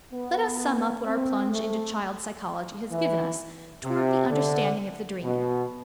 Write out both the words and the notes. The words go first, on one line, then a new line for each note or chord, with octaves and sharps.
Let us sum up what our plunge into child psychology has given us toward the understanding of the dream.
B3
C4
A3
E3
C3
D3
B2